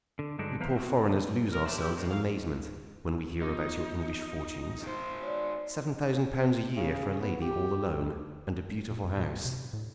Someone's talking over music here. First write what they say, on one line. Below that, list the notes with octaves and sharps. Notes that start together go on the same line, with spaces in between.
We poor foreigners lose ourselves in amazement when we hear about your English fortunes. Seven-thousand pounds a year for a lady all alone, and a beautiful house!
D3
G2 D3 F#3 G#3 D4 D#4
E3 B3 B4 C5 F5 A#5
B3 C4 E4 F#4
D3
A#4
A3 D4 G4 C5 D5 E5
E4 G4
A2 D#3
A#4 F5
B3 D#4 F4
D#3 C5
C#5 D5
C#3
B3
G4
A#2
F#2
A#2
B2
C3
A2